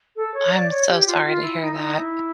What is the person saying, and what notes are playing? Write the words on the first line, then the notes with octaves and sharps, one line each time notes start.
I'm so sorry to hear that.
A4
C#5
D5
C#5
G4
F4
F4
E4
D#4
E4
D#4
E4